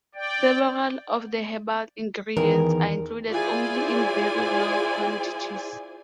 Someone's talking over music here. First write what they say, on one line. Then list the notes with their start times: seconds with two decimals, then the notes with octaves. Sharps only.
Several of the herbal ingredients are included only in very low quantities.
0.15 D5 G5
2.37 E2 D#3 E3 A#4
3.28 E4 F4 G#4 C5 D5 G#5